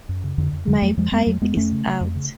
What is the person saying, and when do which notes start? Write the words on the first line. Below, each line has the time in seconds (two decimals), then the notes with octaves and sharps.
My pipe is out.
0.09 F#2
0.24 C#3
0.38 F2 D3
0.53 F2
0.67 F2 D3 F#3
0.82 F2 F#3 A3
0.97 F2 F3 G#3
1.12 F2 G#3 B3
1.26 F2 F#3 A3
1.42 F2 G#3 B3
1.57 F2 A3 C#4
1.72 C#3
1.87 C#3
2.01 F2
2.16 C#3